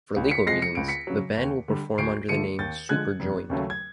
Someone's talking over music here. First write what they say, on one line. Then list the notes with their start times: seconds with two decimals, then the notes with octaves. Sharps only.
For legal reasons, the band will perform under the name "Superjoint".
0.16 C#2
0.31 B6 C#7
0.46 C3 F3 G#3 A#6 C7
0.62 C#7
0.75 C#2 D7
0.88 B6 C#7
1.07 C#3 F#3
1.37 D#2
1.68 D3 G3
1.98 D2 C7 D7
2.29 D3 F3 A3 C#7 D#7
2.59 D#2 G6 A6
2.89 D3 F3 G#3 F#6 G#6
3.20 F1
3.50 D#2 C#3 F#3 A3
3.70 G#6